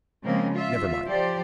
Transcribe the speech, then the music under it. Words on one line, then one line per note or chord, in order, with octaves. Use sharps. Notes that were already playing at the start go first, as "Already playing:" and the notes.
Never mind.
C#3 F3 G#3 A#3 C4
F4 E5
F3 G4 C5 D5